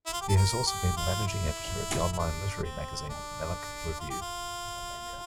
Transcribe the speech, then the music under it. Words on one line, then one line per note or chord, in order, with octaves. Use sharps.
He has also been the Managing Editor of the online literary magazine "Melic Review".
E4
F4
G4
A4
A#4
G4
F4
E4
E4
D4
C4
D4
F4
G4
F4